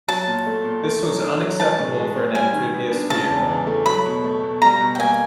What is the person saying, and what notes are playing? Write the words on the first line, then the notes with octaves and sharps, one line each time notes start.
This was unacceptable for an amphibious vehicle.
F#3 A5
A#2
A3
A#2
A3
F#3
D4
F#3
E3 A5
A2
G#3
C4
G3 G#5
D#3
B3
D4
C#3 A5
E2
E3
A3
F#3 B5
B2
A3
B2
G3 A#5
B2
G5
A#3 G#5